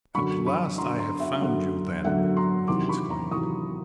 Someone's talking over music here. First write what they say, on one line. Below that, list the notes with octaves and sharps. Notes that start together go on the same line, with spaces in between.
"At last I have found you, then!" he exclaimed.
F#2 D3 F#3 B5 C#6
B5 C#6
F#2 D3 F#3 A#5 C6
A#5 C6
E5 F#5
F#2 D3 F#3 E5 F#5
F#2 D3 F#3 E5 F#5
A#5 C6
E2 C3 D#3 F#3 C6 D6
B5 C#6
A#5 C6
E2 C3 D#3 F#3 C#6 D#6